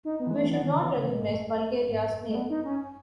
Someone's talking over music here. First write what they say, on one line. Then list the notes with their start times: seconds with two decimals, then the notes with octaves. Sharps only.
We should not recognize Bulgaria's name.
0.05 D#4
0.20 B3
0.27 E3 G#3
0.35 A3
0.43 F#3
0.51 E3 B3
0.61 D#3 C#4
0.73 C#3
0.81 E3 B3
0.96 C#3 A3
1.08 B2 G#3
1.19 G#2
1.27 F#2 A3
1.88 G#2
2.11 F#2
2.29 A3
2.35 B3
2.50 D#4
2.65 C#4